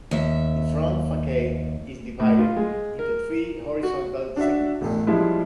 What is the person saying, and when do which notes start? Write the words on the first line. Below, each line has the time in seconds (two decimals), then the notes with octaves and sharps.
The front facade is divided into three horizontal segments.
0.11 D#2 E5
2.20 A2
2.39 F4
2.57 G#3
2.99 A#4
3.83 F#4
4.36 D4 F#4 E5
4.81 E1 A1
5.07 F3 G3 G#3 E4